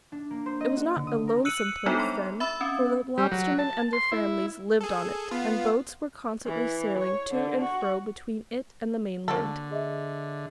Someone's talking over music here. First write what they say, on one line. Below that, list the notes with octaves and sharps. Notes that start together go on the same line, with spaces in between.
It was not a lonesome place then, for the lobstermen and their families lived on it, and boats were constantly sailing to and fro between it and the mainland.
D4
A#3
C5
D#5
F#4
D3
D#6
A#4
E6 F#6 C#7 D#7 F#7
G3 G#3 B3 D4 D#4 A4
C6
E5 B5 E6
C4 C#4
G3
F#3
A5
C6
E4
G#4 A4
B3 F4
E3
C#5
D3
F#4
D3 A#3 F#4 A4
G#4 D#5 E5